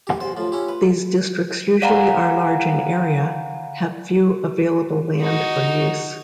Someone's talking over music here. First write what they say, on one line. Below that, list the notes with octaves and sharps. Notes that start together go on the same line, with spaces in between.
These districts usually are large in area, have few available land for use.
G4
E2 G4 C5
A2 F3 F4
C#4 E4 G4
B4
F2
D5 F5 F#5 G#5 A#5 B5
D#4 F#4